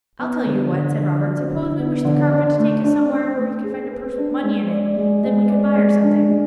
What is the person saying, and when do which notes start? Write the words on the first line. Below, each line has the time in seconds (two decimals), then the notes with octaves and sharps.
'I'll tell you what,' said Robert. 'Suppose we wished the carpet to take us somewhere where we could find a purse with money in it--then we could buy her something.'
0.19 B3
0.46 D3
0.72 D3
0.99 D3
1.26 F#3
1.52 D3
1.78 B3
2.05 D3
2.31 D4
2.58 A3
2.84 D4
3.11 D4
3.37 A3
3.64 G#4
3.91 B4
4.18 D4
4.43 G#3
4.70 D5
4.96 G#3
5.24 G#3
5.49 D5
5.76 G#3
6.02 D4
6.29 G#3